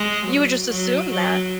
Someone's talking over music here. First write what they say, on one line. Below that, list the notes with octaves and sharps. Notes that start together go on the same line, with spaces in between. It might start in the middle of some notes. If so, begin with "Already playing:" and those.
You would just assume that.
Already playing: G#3
F#3
F#3
F#3